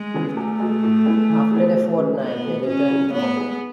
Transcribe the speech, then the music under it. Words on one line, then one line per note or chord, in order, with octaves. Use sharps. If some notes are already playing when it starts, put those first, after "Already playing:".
After a fortnight, they returned home.
Already playing: G#3
C#3 E3 B3
E2 A3
B2 G#3
A2
G#3 B3 E4 A4
E3
B3 E4 G#4
B2
G#3 C#4 G#4
G#2 B3
E3 A3
B2 C#4
F#3 B3 E4
A2 B3
G#3 D#4 G#4